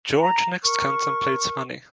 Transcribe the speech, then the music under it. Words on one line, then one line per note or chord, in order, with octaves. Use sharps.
George next contemplates money.
A#5
A#4 C#6